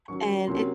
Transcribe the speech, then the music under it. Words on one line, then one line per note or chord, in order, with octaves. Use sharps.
and it
D#3 F#3 C#4 C#6
C3 F#3 A#3 C#4 C6